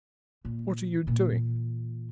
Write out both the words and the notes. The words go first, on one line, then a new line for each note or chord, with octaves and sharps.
'What are you doing?
A#2
A#2 E3